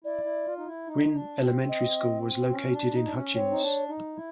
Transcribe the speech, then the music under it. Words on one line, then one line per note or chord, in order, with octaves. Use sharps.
Winn Elementary School was located in Hutchins.
E4 D5
E4
F4
D#4
E4
D#4
D4
C4
D#5
C#4
D4
D#4
D4
C#4
C4 C#5
D#4
D4
D#4
E4